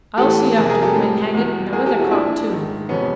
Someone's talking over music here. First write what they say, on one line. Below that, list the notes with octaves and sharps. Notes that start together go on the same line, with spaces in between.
I'll see after the wind, hang it, and the weather-cock, too.
A2 E3 G4 A4
F2 C3 F3 G#4 A#4
G#4 A#4
G4 A4
A2 F3
E2 B2
E2 B2 G#4 A#4
G4 A4
E4 F#4
A#2 F3 D4 E4
G#2 D#3
F2 C3 F3 B3 C#4